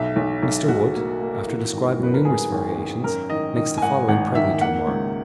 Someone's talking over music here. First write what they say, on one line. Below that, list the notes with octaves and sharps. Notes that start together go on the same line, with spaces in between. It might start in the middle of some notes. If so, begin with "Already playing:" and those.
Mr. Wood, after describing numerous variations, makes the following pregnant remark.
Already playing: B1 E5
B1
B1
B1 F#4
A#3
A#3
E3
G#1
F#2 B4
A#4
G#1 G#4
G#1
F#2
F#2 A#4
D#3 D#5
D#3 D#5
G#5
G#1 F#5
G#1 F#5
D#3 E5
A#3 F#5
C#2